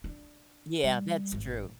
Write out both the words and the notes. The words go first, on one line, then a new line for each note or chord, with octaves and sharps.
Yeah. That's true.
D4
G3
G#1